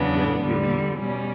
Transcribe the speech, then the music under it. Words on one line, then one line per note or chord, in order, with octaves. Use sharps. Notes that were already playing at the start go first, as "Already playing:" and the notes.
They'll believe him.
Already playing: E2 C#3 F#3 B3 D4
E2 D3 G3
B2 G3 C#4